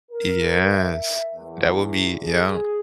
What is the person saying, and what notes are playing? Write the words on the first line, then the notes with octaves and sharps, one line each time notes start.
Yes, that would be yeah.
A#4
E5
E2
G#4